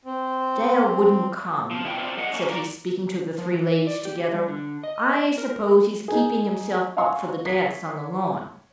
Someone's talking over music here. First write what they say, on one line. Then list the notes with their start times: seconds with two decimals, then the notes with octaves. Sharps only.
"Dale wouldn't come," said he, speaking to the three ladies together, "I suppose he's keeping himself up for the dance on the lawn."
0.05 C4
1.71 F3
1.85 B2 E4 B4 C#5 G5
1.99 B3 C4 F4 A#4 C5 D5
2.17 G3 D#5 F#5
2.33 A#3 C#4
2.50 A#4 D5
3.38 F3
3.54 E3
3.87 D5
4.05 G4
4.34 G3
4.48 D3
4.83 D#5
5.38 A#4
6.08 D#4 G#4
6.97 D#5 F5 F#5 G#5 C6 C#6
7.45 C#5 B6 C7